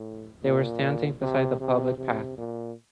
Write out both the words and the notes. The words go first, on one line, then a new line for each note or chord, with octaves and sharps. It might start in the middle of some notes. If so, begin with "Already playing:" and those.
They were standing beside the public path.
Already playing: A2
A#2
C3
C3
C3
A#2